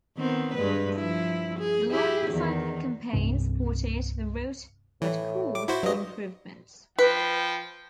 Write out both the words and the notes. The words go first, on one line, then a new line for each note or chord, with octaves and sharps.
The London Cycling Campaign supported the route but called for improvements.
D#3 B3 C4
G2 G#3 B4
F3 E4
G#4
E4 G4 G#4
E2 D#3
C2 G2 C3 C4
A2 E3
D6
E4 F#4 C5
G2 F#3 D#5
F3 B4 G5